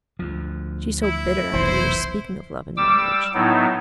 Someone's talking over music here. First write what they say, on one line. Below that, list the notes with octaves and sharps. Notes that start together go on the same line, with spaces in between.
She's so bitter at the mere speaking of love and marriage.
D2 F3
E4
F1 B1 E3 C5
G3 D6 E6
A2 F#3 B3 D#4 E4